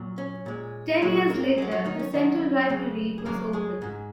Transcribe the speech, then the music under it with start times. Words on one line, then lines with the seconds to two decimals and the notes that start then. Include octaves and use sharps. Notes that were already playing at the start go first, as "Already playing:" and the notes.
Ten years later, the Central Library was opened.
Already playing: A#2 F#3
0.18 C#4
0.46 A#2 G#3
1.02 A#2 F#3 G#3 F#4
1.30 A#3 A#4
1.57 F#2 F#3 G#3 G#4
1.72 F#3 F#4
1.86 D#3 D#4
1.99 C#4
2.13 F#2 D#3 F#3 D#4
2.70 F#2 C#3 G#3
3.18 G#4
3.26 F#2 C#3 G#3 A#3 A#4
3.53 G#3 G#4
3.82 G#2 G#3